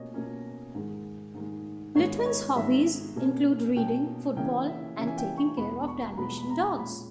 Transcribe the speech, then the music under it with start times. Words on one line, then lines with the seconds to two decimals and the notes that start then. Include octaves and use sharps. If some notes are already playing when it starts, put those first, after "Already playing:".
Lytvyn's hobbies include reading, football, and taking care of dalmatian dogs.
Already playing: B2 A#3 C#4 C#5 D#5
0.14 B2 A#3 C#4
0.75 G#2 D#3 G#3
1.35 G#2 D#3 G#3
1.95 G#2 D#3 G#3 B3 C#5
2.19 D#5
2.25 C#5
2.56 G#2 D#3 G#3 B3 E5
3.16 B2 A#3 C#4
3.76 B2 A#3 C#4 G5
4.37 C#3 E3 A#3 C#4 G5
4.67 E5
4.97 C#3 E3 A#3 C#4 E5
5.07 G#5
5.18 G5
5.37 C#6
5.57 E2 B2 G#3 B3 B5
5.87 C#6
6.12 A#5
6.17 E2 B2 G#3 B3 B5
6.37 B5
6.49 A#5
6.58 B5
6.78 A#2 G#3 C#4 B5